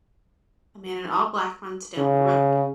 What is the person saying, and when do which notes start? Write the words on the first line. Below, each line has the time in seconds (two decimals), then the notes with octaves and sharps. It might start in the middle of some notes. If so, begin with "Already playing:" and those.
A man in all black runs down the road.
1.97 C#3